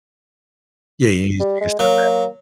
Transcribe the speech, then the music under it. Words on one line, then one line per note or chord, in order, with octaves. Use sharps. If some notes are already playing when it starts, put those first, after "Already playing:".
Yeah. You used to go step back.
G3
G#3
F#3 A#3